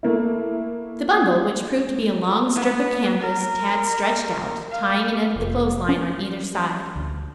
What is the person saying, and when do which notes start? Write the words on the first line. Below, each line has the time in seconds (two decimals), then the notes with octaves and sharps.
The bundle, which proved to be a long strip of canvas, Tad stretched out, tying an end of the clothes line on either side.
0.03 A3 A#3 E4
2.55 B3
3.20 A#4
4.71 F5
5.36 F1
5.89 C#4
6.96 D2